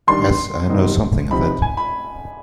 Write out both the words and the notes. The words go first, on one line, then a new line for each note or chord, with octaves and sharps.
Yes, I know something of it.
D#3 G3 D4 C6
C3 D#3 G3 B3 D#4
C3 F3 C4 D#4 B5
G#5
B5